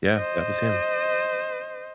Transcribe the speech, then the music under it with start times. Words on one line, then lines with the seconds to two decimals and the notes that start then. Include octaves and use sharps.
Yeah, that was him.
0.16 C5 D#5